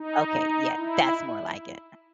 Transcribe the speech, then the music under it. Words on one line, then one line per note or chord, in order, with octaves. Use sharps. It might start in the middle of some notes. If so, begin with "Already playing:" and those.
Okay, yeah, that's more like it.
Already playing: D#4
E4